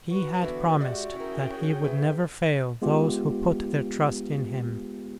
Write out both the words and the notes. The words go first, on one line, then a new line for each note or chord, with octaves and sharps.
He had promised that He would never fail those who put their trust in Him.
F#4 B4
D3 E3 B3
G#3 G4 D5 E5 F#5
C#4 E4 G#4 A#4 G5
D2 B4 E5
G#3 B3 F4 G4